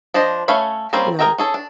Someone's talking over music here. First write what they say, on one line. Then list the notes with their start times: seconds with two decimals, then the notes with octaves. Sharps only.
you know,
0.14 F3 D4 C5 D#5
0.48 A3 C#4 C#5 F5 B5
0.93 G3 A#3 C4 C#4 C5
1.19 G#4 A#4 E5 G5 A#5
1.38 C#4 G#4 A4
1.54 D4